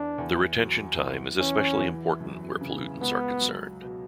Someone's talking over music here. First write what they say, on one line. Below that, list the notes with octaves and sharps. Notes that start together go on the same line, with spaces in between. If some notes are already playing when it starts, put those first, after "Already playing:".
The retention time is especially important where pollutants are concerned.
Already playing: E2 D4
E2
F#3
E2
E3 C#4
E3
F#2
C#3
C#2 B3
F#3
B2